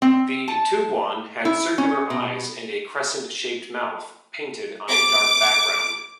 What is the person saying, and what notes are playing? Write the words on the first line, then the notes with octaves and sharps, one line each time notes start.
The "tubuan" had circular eyes and a crescent-shaped mouth painted on a dark background.
C4
A5
E4
C#4
B2
D6